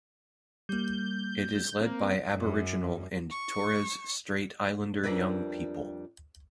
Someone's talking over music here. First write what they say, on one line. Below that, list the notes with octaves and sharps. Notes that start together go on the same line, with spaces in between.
It is led by Aboriginal and Torres Strait Islander young people.
G3 A#3 G6
A#3 C4
F#2
C#6
F2 G3 D4 A#4 B4 E5